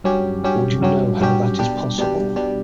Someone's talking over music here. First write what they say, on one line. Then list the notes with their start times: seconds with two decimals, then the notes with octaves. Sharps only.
Would you know how that is possible?
0.04 G2 F#3 C#4 G4
0.44 G2 F#3 C#4 G4
0.81 G2 F#3 C#4 G4
1.20 G2 F#3 C#4 G4
1.59 B2 G3 D4 G4
1.98 B2 G3 D4 G4
2.36 B2 G3 D4 G4